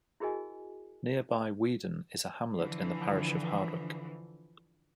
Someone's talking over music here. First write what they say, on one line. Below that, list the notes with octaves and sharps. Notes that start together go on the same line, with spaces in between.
Nearby Weedon is a hamlet in the parish of Hardwick.
E4 F#4 G#4 A#4 D#5 G#5
D3 E3 F3